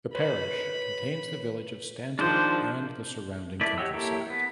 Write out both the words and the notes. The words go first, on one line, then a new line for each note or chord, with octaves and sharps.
The parish contains the village of Stanton and the surrounding countryside.
B4 C#5 B5
D#3 F3 D4 D#4 G#4 C5
A3 E4 B4 D5
G4 C#5 D#5 F#5 E6
A#3 E4 G4 A4 C#5
B3